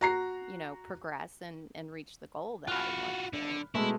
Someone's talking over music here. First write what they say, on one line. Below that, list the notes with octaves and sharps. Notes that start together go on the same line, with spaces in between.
you know, "progress and and reach the goal that I want to
F#4 A#5 C7
F4 F#4 B5 F6 F#6
D3
B2 G#3 A3 E4